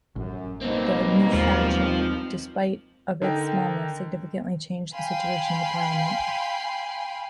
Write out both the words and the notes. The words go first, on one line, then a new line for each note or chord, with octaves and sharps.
The "New Faction", despite of its smallness, significantly changed the situation in the Parliament.
A1 F#2
B2 G3 A#3 C4 D#4
D#2 G#3 F4 C5
D3 D#4 A#4 G5
F5 G5 G#5 B5 C6